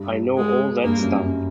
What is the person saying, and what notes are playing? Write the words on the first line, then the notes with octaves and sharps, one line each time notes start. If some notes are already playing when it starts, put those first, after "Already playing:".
I know all that stuff.
Already playing: G2
G#3
G2 A#3
F#2
F#2